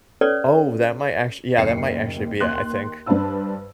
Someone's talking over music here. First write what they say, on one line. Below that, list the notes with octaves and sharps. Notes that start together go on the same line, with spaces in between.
Oh, that might act yeah, that might actually be it, I think.
C#4 A4 B4 C#5 D5
F#1 D#2 C7 C#7
D#2 C6 F#6
G2 D4 B4 C5 A5 E6